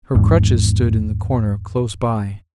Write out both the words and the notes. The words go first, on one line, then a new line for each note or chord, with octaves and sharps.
Her crutches stood in the corner close by.
G#1 E2 G#2